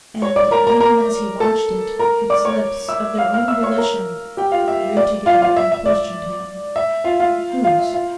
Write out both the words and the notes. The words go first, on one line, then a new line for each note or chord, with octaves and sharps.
And even as he watched it, its lips, of their own volition, drew together and questioned him--'Whose?'
C#5 C#6
D5 D6
A#4 A#5
A#4 A#5
A#4 A#5
A4 A5
A#4 A#5
D5 D6
C#5 C#6
E5 E6
F5 F6
F5 F6
E5 E6
C#5 C#6
A#4 A#5
G4 G5
F4 F5
E5
D5
F4 F5
F4 F5
E5
E5
D5
E5
F4 F5
F4 F5
F4 F5
E5
F4 F5